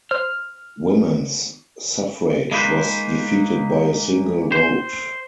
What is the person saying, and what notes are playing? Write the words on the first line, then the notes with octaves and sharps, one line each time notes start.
Women's suffrage was defeated by a single vote.
C5 F6
G#3 A#3 D#4 B4 C5
C5